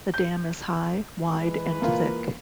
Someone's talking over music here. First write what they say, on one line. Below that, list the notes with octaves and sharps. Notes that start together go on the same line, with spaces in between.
The dam is high, wide and thick.
G6
E3 G#3 B4
A#3 F4